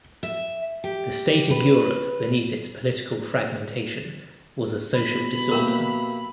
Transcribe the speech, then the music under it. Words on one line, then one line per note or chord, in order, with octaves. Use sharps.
The state of Europe beneath its political fragmentation was a social disorder.
E5
G4
B4
B2 B5
A#3 G4 A#4 E5